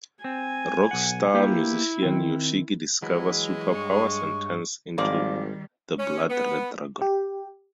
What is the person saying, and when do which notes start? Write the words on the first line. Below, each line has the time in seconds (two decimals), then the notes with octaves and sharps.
Rock star musician Yoshiki discovers super powers and turns into the Blood Red Dragon.
0.24 C4 G#5
0.91 B1 F#5
1.34 A#3 E4 G4 B4
2.03 D#3 C4
3.02 E3 F#3 G#3 E4
3.74 G2 C#5 C#6
4.98 G#1 D#3 F3 G3 A#3 D5
5.99 C#4
6.30 B3
7.02 G4